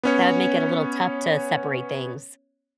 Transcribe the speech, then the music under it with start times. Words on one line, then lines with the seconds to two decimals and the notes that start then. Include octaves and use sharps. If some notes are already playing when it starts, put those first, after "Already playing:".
that would make it a little tough to separate things.
0.04 B3 C#4 C#5